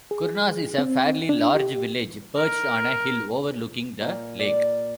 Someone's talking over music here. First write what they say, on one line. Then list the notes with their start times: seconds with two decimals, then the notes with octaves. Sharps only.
Kournas is a fairly large village perched on a hill overlooking the lake.
0.11 G#4
0.78 C4
1.29 D4
1.55 G4
2.38 A#4
4.01 A#2
4.39 D5